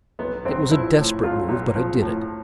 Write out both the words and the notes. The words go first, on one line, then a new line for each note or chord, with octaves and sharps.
It was a desperate move, but I did it.
B1 B3
B1 C4
F3 E4
A2
B1 F4
B1
F3
A2